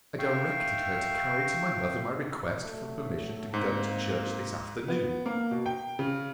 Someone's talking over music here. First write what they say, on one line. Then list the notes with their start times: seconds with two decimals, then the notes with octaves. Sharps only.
I directed her to carry to my mother my request for permission to go to church this afternoon.
0.19 E5 F5 G5 C#6
2.63 F#3 A3
3.54 G#2 A#3 C4
4.88 B3
5.26 A#3
5.51 B2
5.66 G5
5.99 C#3